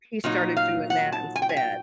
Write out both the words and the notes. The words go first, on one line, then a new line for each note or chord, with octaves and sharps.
he started doing that instead.
A#2 F#3 D#4
F5
F#5
A5
G#5
G5
G#5
G5